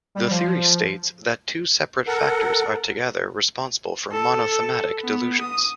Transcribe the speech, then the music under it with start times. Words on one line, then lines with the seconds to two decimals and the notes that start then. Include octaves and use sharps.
The theory states that two separate factors are together responsible for monothematic delusions.
0.15 G3
0.30 F3
2.07 A4 A#4 F#5
4.12 A4
5.02 B3
5.41 D#6